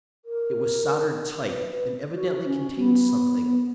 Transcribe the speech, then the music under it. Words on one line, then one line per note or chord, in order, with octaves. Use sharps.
It was soldered tight and evidently contained something.
A#4
B4
B4
F#4
C#4
B3